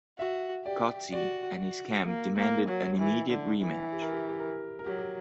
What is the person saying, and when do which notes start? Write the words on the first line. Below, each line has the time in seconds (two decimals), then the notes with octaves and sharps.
Coetzee and his camp demanded an immediate rematch.
0.19 F#4 E5
0.65 G4 D5
1.12 F#4 D5
1.59 F#4
2.05 A#3
2.36 A#3
2.68 F#3
2.99 E3
3.30 D3
3.61 E3
3.92 G4
4.02 A#4
4.13 G4
4.29 G4
4.40 A#4
4.79 A#4
4.85 F#3 G4
4.98 G4